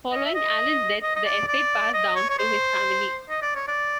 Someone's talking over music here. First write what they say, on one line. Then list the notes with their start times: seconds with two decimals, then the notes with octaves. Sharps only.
Following Allen's death the estate passed down through his family.
0.12 D#5
0.25 E5
0.35 D#5
1.03 D#5
1.16 D#5
1.25 D5
1.48 D5
1.94 D#5
2.16 C#5
2.30 C#5
2.39 C5
3.29 D#5
3.42 D5
3.55 C#5
3.68 D5